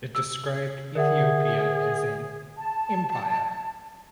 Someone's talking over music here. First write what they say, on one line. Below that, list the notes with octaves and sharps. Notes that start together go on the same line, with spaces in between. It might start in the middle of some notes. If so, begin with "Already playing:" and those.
It described Ethiopia as an "empire".
E6
D3 G#4 A#4 E5 F#5
A5